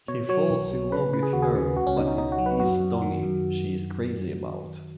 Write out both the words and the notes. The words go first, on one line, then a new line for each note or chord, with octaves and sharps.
He falls in love with her but it is Tony she is crazy about.
B2 C#5
F#3 C#5
B1
F#3
C#3 B4
C#3 B4
G#4
D#2 F#4
G#4
C#3
C#2 F#4
C#4
B2 D#4
D#4
B2 D#4
F#4
F#3
B4
F#2 F#4
F#2
D#3
F#2